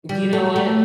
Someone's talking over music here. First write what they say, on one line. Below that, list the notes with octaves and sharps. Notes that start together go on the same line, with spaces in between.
Do you know what?
G3
A3
A3